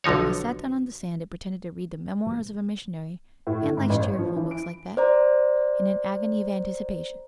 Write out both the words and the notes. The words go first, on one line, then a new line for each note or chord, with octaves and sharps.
I sat down on the sand and pretended to read the "Memoirs of a Missionary"--Aunt likes cheerful books like that--in an agony of anticipation.
B1 D3 F3 D#4 C#5
A2
D3
G#2
A1
C#5
F3
E3
D7
C5 D5 A#5